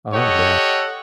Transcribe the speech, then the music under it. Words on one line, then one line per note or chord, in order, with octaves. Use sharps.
Oh, yeah,
G4 A4 C#5 D#5 F#5